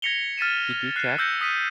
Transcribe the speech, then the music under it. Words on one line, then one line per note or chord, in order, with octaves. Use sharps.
Did you check?
G#6 A#6 B6 C#7 F7 G7
F6 A6 B6 D#7 E7
F6
F#6 A#6 C7
E6 G6 A#6 C#7
D#6 B6 D#7